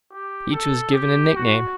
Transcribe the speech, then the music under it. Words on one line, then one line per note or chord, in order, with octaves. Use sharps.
Each was given a nickname.
G4
A4
G4
F#4